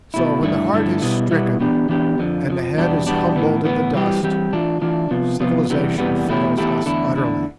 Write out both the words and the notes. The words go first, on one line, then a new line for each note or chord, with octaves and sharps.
So, when the heart is stricken, and the head is humbled in the dust, civilization fails us utterly.
B2 A3 E4
G2 D3 A3 E4
G2 D3 A3 E4
B2 G3 B3 E4
B2 G3 B3 E4
E3 B3 D4 G4
E3 B3 D4 G4
F2 D3 F3
F2 D3 F3
E2 B2 G3 B3 D4
E2 B2 G3 B3 D4
A2 E3 B3
A2 E3 B3
E3 G3 C4 G4
E3 G3 C4 G4
E3 A3 D4 F4
E3 A3 D4 F4
C3 F3 B3 F4
C3 F3 B3 F4
E2 C3 E3 G3 B3
E2 C3 E3 G3 B3
E2 B2 A3 E4 G4
E2 B2 A3 E4 G4
E2 D3 A3 E4
E2 D3 A3 E4